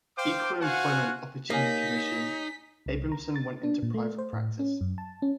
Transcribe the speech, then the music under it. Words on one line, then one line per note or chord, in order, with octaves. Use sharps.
Equal Employment Opportunity Commission, Abramson went into private practice.
C5 F5 G5 D6
F#4 C5 F5 F#5 G#5
A#3 D#4 G4 C#5 G#5 B6
C2
A#5
A6
D4
A#2
A3
C5
A2
C#4
F#2
A5
C#4